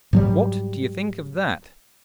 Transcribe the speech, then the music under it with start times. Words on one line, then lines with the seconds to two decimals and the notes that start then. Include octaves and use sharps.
"What do you think of that?"
0.13 G#2 F#3 G3